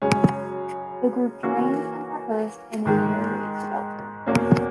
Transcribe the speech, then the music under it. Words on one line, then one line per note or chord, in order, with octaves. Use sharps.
The group trained and rehearsed in an air raid shelter.
F#2 C#3 G#3 C#4
E3 A#3 C#4 F#4
G#2 D#3 G#3
E2 B2 A#3 C#4